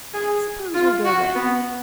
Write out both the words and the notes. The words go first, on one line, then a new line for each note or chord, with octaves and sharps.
Suppose we go there.
G#4
F4
F#4
B3